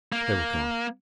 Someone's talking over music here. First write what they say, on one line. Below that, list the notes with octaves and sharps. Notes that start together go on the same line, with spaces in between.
They were gone.
A#3